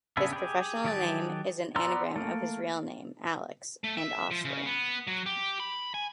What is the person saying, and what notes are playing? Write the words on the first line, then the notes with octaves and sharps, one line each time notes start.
His professional name is an anagram of his real name, 'Alex', and 'Oscar'.
C#3 B3 D4 G#4 E5
G4 G#4
D#3 F#3 G4 G#4 A5
B3 D5 A#5 C6 E6
A3 A#3
A3
E5
F3
C#3
B3
F#3
G4
B5
G#5